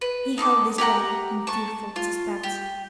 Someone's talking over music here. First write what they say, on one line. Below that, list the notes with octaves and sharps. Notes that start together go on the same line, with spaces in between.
He held his breath in fearful suspense.
B4
D#4 A4 C6 D6
G4 A#4 F#5 A#5
A5 C#6
F4
G4